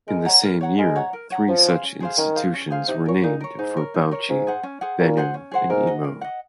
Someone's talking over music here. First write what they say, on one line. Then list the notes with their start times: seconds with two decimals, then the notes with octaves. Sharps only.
In the same year three such institutions were named for Bauchi, Benue and Imo.
0.08 G#3 A#4
0.25 C#5 F#5 A#5
0.43 A#4
0.61 C#5 F#5 A#5
0.78 G#3 A#4
0.96 C#5 F#5 A#5
1.13 A#4
1.30 C#5 F#5 A#5
1.48 F3 C#4
1.66 G#4 C5 F5
1.83 C#4
2.00 G#4 C5 F5
2.18 D#3 C#4
2.36 G#4 C5 F5
2.54 C#4
2.70 G#4 C5 F5
2.88 C3 D#4
3.06 A#2 A#4 C#5
3.23 A#2 D#4
3.41 A#4 C#5
3.58 G#2 D#4
3.77 A#4 C#5
3.94 D#4
4.11 A#4 C#5
4.29 G#2 C#4
4.47 G#4 C5 F#5
4.63 C#4
4.81 G#4 C5 F#5
4.99 A#2 C#4
5.17 G#4 C5 F#5
5.34 C#4
5.51 G#4 C5 F#5
5.69 G#2 A#4
5.87 D#5 F#5
6.04 A#4
6.21 D#5 F#5